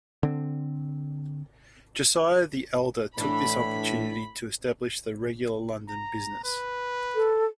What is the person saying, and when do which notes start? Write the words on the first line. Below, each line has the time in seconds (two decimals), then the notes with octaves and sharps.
Josiah the elder took this opportunity to establish the regular London business.
0.23 D3 C4
3.18 A2 E3 D4 B5
5.88 A#5
6.44 B4
7.15 A4